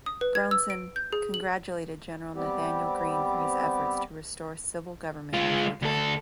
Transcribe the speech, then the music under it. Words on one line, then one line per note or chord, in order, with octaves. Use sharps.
Brownson congratulated General Nathanael Greene for his efforts to restore civil government in Georgia.
D#6
B4
G#6
E6
D7
G6
G#4
F#7
G3 B3 C4 G4
G#3 F4
D2 A4